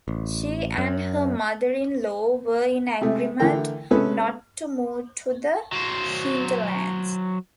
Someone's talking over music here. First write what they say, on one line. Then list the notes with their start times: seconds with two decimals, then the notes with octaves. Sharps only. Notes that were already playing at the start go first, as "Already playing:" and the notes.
She and her mother-in-law were in agreement not to move to the hinterlands.
0.08 A1
0.78 F#2
3.01 C3 G#3 A3
3.40 D3 E3 A3 A#4 G5
3.91 C3 G#3 B3 C#4 A4 B4
5.72 F#3 C5